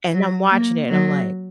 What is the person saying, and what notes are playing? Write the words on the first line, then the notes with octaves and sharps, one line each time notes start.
And I'm watching it, and I'm like
F#3
A#3
F#3